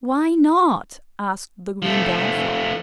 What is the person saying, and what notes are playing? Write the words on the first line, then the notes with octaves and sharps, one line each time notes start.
"Why not?" asked the Green Brown Frog.
F3 A3